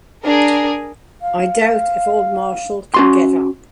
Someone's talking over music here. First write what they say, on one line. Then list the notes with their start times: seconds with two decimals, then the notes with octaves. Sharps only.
I doubt if old Marshall could get up.
0.25 D4 G#4 A#4
1.21 F5
2.94 C#4 F#4 C6